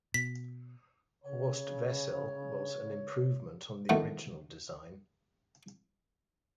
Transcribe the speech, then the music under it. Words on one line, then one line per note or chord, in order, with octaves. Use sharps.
"Horst Wessel" was an improvement on the original design.
B2 B6
C#3 C#5
D#3 E3 A3 B3